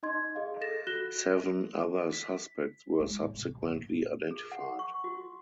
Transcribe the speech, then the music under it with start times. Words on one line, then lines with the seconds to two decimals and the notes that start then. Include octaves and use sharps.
Seven other suspects were subsequently identified.
0.03 D#4 D#5 C6 G#6
0.35 G#4 D#5 F5
0.61 A4 A6 A#6 E7
0.87 F#4 F#6 A#6 E7 G7
2.13 B6
2.98 G#3 E4
3.17 E2 A2
3.35 G#2 C3
3.48 D#3
3.62 F#2 A#2
3.74 A#2
4.31 G#4
4.52 F#5
4.79 C#6
5.04 F#4